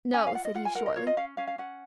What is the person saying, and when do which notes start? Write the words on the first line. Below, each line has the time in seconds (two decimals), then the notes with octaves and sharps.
"No," said he shortly.
0.14 C#4 G#5
0.27 F5
0.34 F4 F#5
0.45 D#5
0.55 F4 F#5
0.65 G#5
0.75 A#4 F#5
0.86 D#5
0.96 F4 C#5
1.07 D#5
1.17 C#4 F5
1.37 C#4 F5
1.47 F5
1.58 C#4 F#5